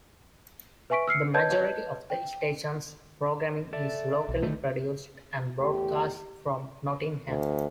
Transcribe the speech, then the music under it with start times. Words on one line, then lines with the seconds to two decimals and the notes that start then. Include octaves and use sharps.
The majority of the station's programming is locally produced and broadcast from Nottingham.
0.90 B4 E5 G#5 C#6 B6 D7
1.07 E6 F6 C7 C#7
1.34 B4 C#5 D#5 A5 G6 G#6
2.10 G5
3.73 A4 D5 E5
4.29 B1
4.43 D3 D#3 A3 D#4
5.59 E2 A3 G4
7.27 D2